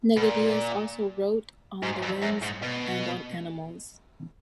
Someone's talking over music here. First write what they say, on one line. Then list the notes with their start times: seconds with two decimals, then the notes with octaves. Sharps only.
Nigidius also wrote on the winds and on animals.
0.17 B2
0.22 A#2
1.83 G#2
2.03 F2
2.23 F#2
2.43 G#2
2.63 B2